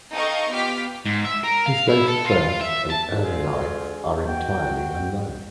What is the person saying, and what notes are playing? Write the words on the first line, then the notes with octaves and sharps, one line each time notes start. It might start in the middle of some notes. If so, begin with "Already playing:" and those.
His date of birth and early life are entirely unknown.
D#4 A4 D#5 F5 G5 C#6
B3 F4 G4 D6 F6 B6
G#2
E5
A#4
F5
E4
A4
F4
E5
A5
D2 G#3 C4 F4 G#4
F#4 G5